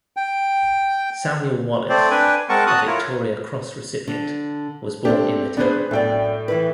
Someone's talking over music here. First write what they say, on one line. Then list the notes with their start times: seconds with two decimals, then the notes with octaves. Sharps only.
Samuel Wallace, a Victoria Cross recipient, was born in the town.
0.17 G5
1.89 A3 C4 C5 D5
2.11 D4 B4 G5 G#5
2.49 G#3 C4 A#4 F#5 A5 C#6
2.67 F#4 A5 D#6 F#6
2.87 E4 F4 A#4 C#5
4.07 D3
5.05 A3 C4 D4 G4
5.57 B3 D4 G#4 B4 C5
5.91 F#2 A2 D5 G5
6.48 E3 E4 B4